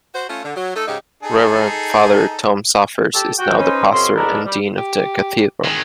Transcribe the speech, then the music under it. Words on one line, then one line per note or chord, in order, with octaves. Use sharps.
Reverend Father Tom Zaferes is now the pastor and dean of the cathedral.
F#4 C5
A3 C#4 F4
D3
F#3
A3 D#4 A4
G#2 C#3 D#4 G4
D#4 G#4 A4
G4 A4
F#4 G5
C#4 D#4 B4 C5
F#2 C#3 C4 C#4 D#5 C6
E2 G#2 B3 D4 A4 A#4
G3
G4
D#3 G#3